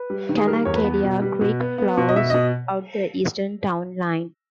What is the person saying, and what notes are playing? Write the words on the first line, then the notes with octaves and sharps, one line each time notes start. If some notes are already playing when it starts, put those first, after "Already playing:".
Canacadea Creek flows out the eastern town line.
Already playing: B4
G3
D#3
G#4
G3 A#4
E2 C#5
B4
B3
B2
G3
B2
B3
B3
B2
D#5
B2 E5
B2 D#5